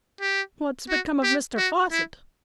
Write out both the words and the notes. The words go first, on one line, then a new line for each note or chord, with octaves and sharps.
"What's become of Mr Fosset?"
G4
F#4
G4
F#4
E4